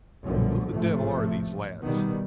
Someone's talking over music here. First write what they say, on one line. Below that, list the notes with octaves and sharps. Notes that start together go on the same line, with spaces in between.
Who the devil are these lads?
B1 F#2 A#2 D3 F3 G3
A1 G#2 C3 F3 A3
B2 D#3 G3 B3